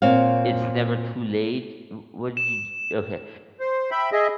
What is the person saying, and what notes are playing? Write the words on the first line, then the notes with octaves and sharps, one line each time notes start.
"It's never too late?" W what did y okay.
A#2 C4 C#5 F5
E7
C5
E5 G5 B5
G#4 D#5 E5